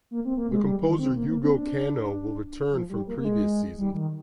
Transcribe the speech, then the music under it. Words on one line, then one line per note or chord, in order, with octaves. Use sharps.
The composer Yugo Kanno will return from previous seasons.
A#3
C4
A#3
G#3
G3
D#3
C4
A#3
A#3
C4
D4
F3
G3
A#3
A#3
G#3
G3
D#3